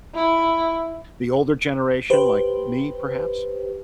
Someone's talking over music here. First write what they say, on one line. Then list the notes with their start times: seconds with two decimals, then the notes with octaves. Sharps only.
the older generation, like me, perhaps?
0.15 E4
2.10 G4 B4 C5